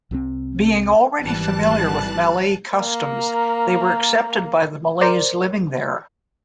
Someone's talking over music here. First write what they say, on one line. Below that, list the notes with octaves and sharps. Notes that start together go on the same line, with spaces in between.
Being already familiar with Malay customs, they were accepted by the Malays living there.
C2 C3 D#3 C4
G#1 E3 G3 A5 F#6 A6
A#3 A#4
A#4 C5 D5